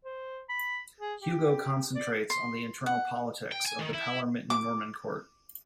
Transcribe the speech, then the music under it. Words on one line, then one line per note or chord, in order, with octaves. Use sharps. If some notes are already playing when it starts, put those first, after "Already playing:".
Hugo concentrates on the internal politics of the Palermitan Norman court.
C5
B5
G#4
G4
D5
C6
F#5
G5
G#5
D#3
E4
D6